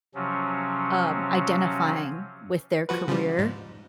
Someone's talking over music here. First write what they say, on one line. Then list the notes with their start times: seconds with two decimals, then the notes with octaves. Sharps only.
um, identifying with their career
0.15 C3 F3 F#3 C#4
2.89 F3 F#4 B4
3.08 C#3 F3 G3
3.39 G#2